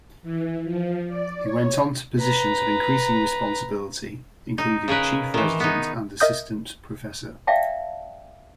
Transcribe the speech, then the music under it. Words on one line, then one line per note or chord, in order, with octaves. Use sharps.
He went on to positions of increasing responsibility, including Chief Resident and Assistant professor.
E3
F3
D5
C#5
B4 A#5
D#4
C#3 G#4 A#4 B4
D#3 E3
B3 D#4
A#4 D#5 E5 D#6 G6
D5 E5 F5 G5 A5